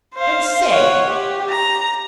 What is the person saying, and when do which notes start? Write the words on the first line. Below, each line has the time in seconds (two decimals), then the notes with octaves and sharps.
And say!
0.14 C5 F5
0.72 C#5 F#5
1.08 G4
1.49 A#5